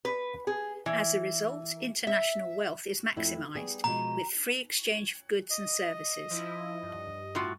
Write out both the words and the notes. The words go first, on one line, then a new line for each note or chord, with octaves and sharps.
As a result, international wealth is maximized with free exchange of goods and services.
B4
G#4
E3
E5
F2 A3 E4
G3 B3 G#4
B2 F3 G#3 A#5
D#5
F3 E4
G2
A2 F4 F#4